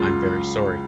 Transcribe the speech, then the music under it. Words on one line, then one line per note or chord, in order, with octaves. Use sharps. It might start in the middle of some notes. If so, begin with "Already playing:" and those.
I’m very sorry.
Already playing: C#2 C#3 F#3 F4